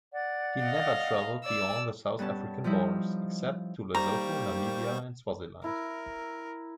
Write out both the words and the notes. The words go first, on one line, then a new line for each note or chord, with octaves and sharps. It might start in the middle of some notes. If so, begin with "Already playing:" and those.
He never travelled beyond the South African borders, except to Lesotho, Namibia and Swaziland.
D5 F#5
D#5 F5
D5 E6
G2 B3 C#4 A5
F3 G3 D#4 E4
D#3 G3 A#3 G4 C5 A#5 C#6
E4 A#4